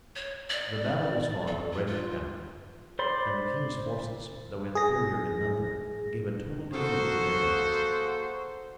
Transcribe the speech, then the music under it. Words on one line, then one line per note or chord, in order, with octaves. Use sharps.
The battle was fought on Bradoc Down; and the king's forces, though inferior in number, gave a total defeat to their enemies.
C#5
D5
A4
F4
F4
C5 D5 B5 C6
G#4 A#6
A#3 F#4 G#4 A4 C5